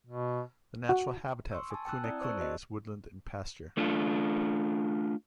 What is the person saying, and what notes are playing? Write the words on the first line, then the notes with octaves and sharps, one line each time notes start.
The natural habitat for kunekune is woodland and pasture.
B2
F#4
C6 C#6 E6
G#5 A5
G5 A5 E6 F#6
C4 E4 D5 D#6
C5 D5 A5 C#6 E6 F#6
F#4 G#4 D#5
A3 D4 F4